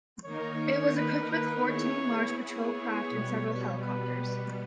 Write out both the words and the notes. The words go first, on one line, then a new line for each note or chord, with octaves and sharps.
It was equipped with fourteen large patrol craft and several helicopters.
D#3 A#3 D#4 A#4 C#5
B4
B4
B3 E4 G#4 C#5
C#5
B2 G3 B3
B4